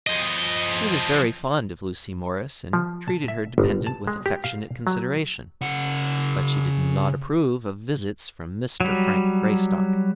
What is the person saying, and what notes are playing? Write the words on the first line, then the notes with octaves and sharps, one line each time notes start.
She was very fond of Lucy Morris, and treated her dependent with affectionate consideration;--but she did not approve of visits from Mr. Frank Greystock.
F3 D#5
F3
A5
E5
G1
A5
G#3
G4
F5
F#3
C#3 F#5
F#3 G3